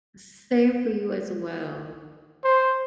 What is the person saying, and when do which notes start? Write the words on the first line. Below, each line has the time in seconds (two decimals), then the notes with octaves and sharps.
Same for you as well.
2.44 C5